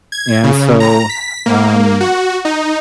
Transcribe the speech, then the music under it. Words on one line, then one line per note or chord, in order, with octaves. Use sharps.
and so, um
G#6
C#3
A#5
B6
A#3
F#4
D#4